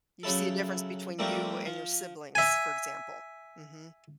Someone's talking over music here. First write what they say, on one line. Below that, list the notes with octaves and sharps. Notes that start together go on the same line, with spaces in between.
You see a difference between you and your siblings, for example. Mhm.
C#3 F#3 E4 A4
F3 G3 A3 A#3 C4 D4
F3
E5 G#5